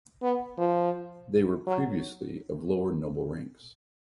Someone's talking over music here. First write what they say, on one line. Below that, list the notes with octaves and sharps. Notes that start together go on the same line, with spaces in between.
They were previously of lower noble ranks.
B3
F3
F#3